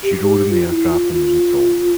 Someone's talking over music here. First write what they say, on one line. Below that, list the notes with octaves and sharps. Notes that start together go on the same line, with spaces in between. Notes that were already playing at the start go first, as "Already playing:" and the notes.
She rode in the aircraft and was enthralled.
G4
G4
G4
F4
E4
F4
F4